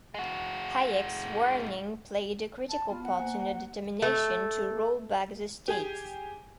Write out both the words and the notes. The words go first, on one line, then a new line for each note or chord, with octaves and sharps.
Hayek's warning played a critical part in her determination to 'roll back the state.
G#3 F#4
A5
B3 F4
F#5
A#3 C5 G#5
A3
G4 G#4 G#5